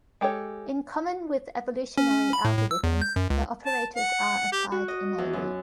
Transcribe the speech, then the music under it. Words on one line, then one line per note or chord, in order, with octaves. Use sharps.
In common with evolutionary algorithms, the operators are applied in a loop.
G#3 G4 A4 C#5
C#4
C#4
B5
A2
A2
E6
E2
G6
F#2
C#2
A5
F#5
G4
F#4
D#5
E2
F#2